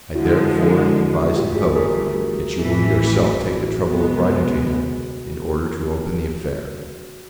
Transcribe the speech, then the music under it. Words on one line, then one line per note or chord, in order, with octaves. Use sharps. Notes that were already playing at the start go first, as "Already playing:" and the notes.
I, therefore, advise and hope, that you will yourself take the trouble of writing to him, in order to open the affair.
D3 F3 G#3 E4 F#4
G1 G2 E3 A3 F4 G4
F#4 G#4
G#4 A#4
A1 A2 E3
F#4 G#4
C2 B2 G#3 B3